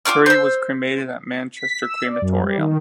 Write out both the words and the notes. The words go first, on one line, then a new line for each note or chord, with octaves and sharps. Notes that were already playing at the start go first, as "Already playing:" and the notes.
Curry was cremated at Manchester Crematorium.
F4 G#4 D6 F6
C5 E6
B6
E6
D5
F#2
G3
D#3